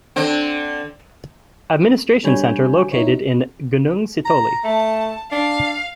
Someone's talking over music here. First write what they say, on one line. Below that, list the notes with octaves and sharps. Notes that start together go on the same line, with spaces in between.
Administration center located in Gunung Sitoli.
D3 C4
D3 G3 C#5 G#5 B5 G6
D#4 E4 C#5
A#5
A3 A5
D4 F5